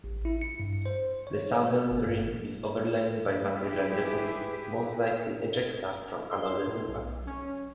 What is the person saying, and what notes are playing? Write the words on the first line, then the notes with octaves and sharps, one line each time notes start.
The southern rim is overlain by material deposits, most likely ejecta from another impact.
A1
E4
C#7
G2
C5
C#5
A#4
G1
G2
E4 G4 G#4 B4
C6
A2
B1
C#4